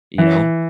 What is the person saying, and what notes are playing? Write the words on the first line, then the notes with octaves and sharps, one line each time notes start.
You know,
E3